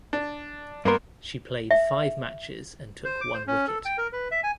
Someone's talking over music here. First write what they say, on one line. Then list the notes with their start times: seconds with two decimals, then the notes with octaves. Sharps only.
She played five matches and took one wicket.
0.13 D4
0.85 G2 A#3 B3 A#4 C6
1.71 E5
3.05 C5
3.21 D6
3.34 C5
3.47 C#4
3.67 A4
3.85 G5
3.98 A#4
4.13 B4
4.31 E5
4.43 G#5